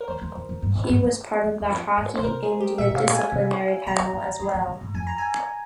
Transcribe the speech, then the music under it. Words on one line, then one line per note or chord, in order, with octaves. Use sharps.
He was part of the Hockey India disciplinary panel as well.
A#4
E2 C5
E2
F2
F2
G2
G#2
G#2
F2
E2
E2
F2
G#2
C#3 C5
C3 A#4
G#4
G4
A#2 E5
C3
F5
A#2
G#5
C3
C3 A#5
C#3
E3
F3
G3
F3
C#3
G#2
F2 G#5
A#5
G#5